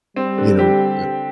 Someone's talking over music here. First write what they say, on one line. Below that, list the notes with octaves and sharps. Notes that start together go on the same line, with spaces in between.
you know, uh,
G3 C4
D3
G4